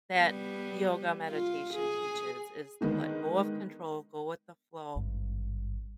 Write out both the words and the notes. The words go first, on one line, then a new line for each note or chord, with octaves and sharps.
that yoga meditation teaches, is to let go of control, go with the flow,
G3 B3
F4
G#4
D3 D#3 G#3 B3
G#1 G2